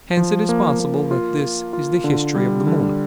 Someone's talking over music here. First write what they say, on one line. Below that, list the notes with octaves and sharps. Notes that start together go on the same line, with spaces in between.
Hence it is possible that this is the history of the moon.
F3
A#3
A#3
F4
F4
F4
D3
G3
D3